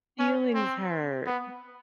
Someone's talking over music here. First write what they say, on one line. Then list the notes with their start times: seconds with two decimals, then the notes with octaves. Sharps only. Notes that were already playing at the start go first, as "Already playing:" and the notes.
feelings hurt.
0.19 C#4
0.54 C4
1.26 B3